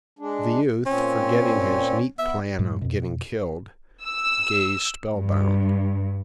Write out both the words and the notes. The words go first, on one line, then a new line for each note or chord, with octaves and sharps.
The youth, forgetting his neat plan of getting killed, gazed spell bound.
G#3 D4
A#2 C4 C#4
B3 E5
G2 A#2 F#3 G#3
F2 B2
E6
G2